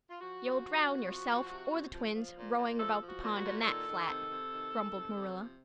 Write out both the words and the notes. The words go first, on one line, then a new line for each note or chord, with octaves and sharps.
"You'll drown yourself or the twins, rowing about the pond in that flat," grumbled Marilla.
F4
F3 F#4
F3
C3
C3
F3
F3
C3
C3
F3
F3
A#2
A#2
F3 A4
F3
F#4
A#2
F#4
A#2
D#3 A4
D#3
C3
C3
D#3
D#3
C3
C3
F3